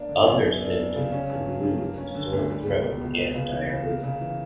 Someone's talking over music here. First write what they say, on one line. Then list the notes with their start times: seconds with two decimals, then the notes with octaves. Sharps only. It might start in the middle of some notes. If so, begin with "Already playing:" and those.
Other symptoms include sore throat and diarrhea.
Already playing: A#3 D4
0.09 D3
0.26 F#2
0.44 B3
0.61 D4
0.78 G3
0.96 C#3
1.12 C#4
1.30 G2
1.46 F#3
1.63 G2
1.81 A#3
1.98 C#4
2.15 D3
2.33 D2
2.50 G3
2.67 C#2
2.83 B2
3.01 C#2
3.18 B3
3.35 C#3
3.52 E3
3.69 C#3
3.87 A#3
4.03 C#3
4.21 E3